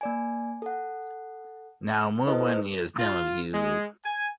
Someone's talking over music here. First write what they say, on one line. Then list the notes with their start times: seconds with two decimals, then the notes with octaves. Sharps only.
Now move on here, some of you.
0.01 A#3 D5 G#5
0.62 A4 F#5
2.27 E4 A4 B4 C5 D#5
2.99 F4
3.53 G#3
4.05 G#5